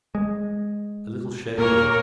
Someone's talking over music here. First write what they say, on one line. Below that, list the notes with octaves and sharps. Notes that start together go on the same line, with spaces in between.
A little shady.
G#3
A#2 A#3 A#4 C#5